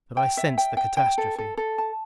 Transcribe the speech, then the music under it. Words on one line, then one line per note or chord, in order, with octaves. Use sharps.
But I sensed the catastrophe.
G5
E5
G5
G5
G5
A4
A4
A4
A5